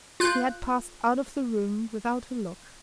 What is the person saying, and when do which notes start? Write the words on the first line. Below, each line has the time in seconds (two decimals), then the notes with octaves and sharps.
He had passed out of the room without a look!
0.20 F4 F#6 G6